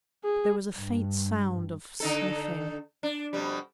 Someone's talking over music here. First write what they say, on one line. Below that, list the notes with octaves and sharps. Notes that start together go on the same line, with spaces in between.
There was a faint sound of sniffing.
G#4
G2
D3 D#4 A4
D4
F2 B2 G3